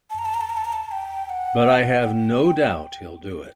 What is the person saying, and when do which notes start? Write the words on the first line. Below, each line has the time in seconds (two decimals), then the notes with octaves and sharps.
But I have no doubt he'll do it.
0.10 A5
0.19 A#5
0.25 A5
0.34 A#5
0.41 A5
0.50 A#5
0.57 A5
0.65 A#5
0.73 A5
0.87 A5
0.91 G5
1.25 G5
1.29 F#5
2.02 G5